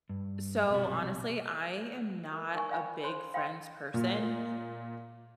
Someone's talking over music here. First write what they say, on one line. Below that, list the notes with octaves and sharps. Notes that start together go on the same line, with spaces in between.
So honestly, I am not a big Friends person.
G2
B1 C3 G3 F#4
A#4
D#4 A#4 D5 G#5 C#6
D5 F5 G5 G#5 B5
C5 C#5 B5 C6
F5 G5 B5 C6
A#2